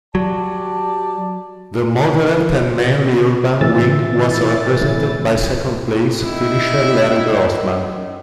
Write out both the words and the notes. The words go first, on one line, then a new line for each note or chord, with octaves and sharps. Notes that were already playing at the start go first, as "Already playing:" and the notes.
The moderate and mainly urban wing was represented by second-place finisher Larry Grossman.
F#3 G4 D5 A5
A2 E3 E6 A6
D#3 E4